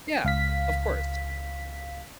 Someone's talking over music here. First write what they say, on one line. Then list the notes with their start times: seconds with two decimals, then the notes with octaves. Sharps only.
Yeah, of course.
0.24 C#2 F5 B6